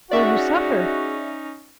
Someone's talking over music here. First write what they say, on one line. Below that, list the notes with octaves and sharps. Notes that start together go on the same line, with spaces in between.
"Will you suffer?"
C#4 D#4 F#4 G#4 D5 E5 C#6